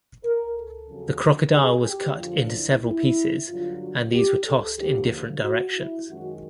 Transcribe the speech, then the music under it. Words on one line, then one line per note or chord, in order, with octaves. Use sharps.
The crocodile was cut into several pieces and these were tossed in different directions.
A#4
A4
F2 C#3 F#3
G#4
G4
F#2 D3 F3 F4
E4
E4
G2 D3 F#3 F4
F#4
G4
A4
D#2 D3 F3 A#3 G4
F#4
E4
F#2 D#3 G#3 C#4 F#4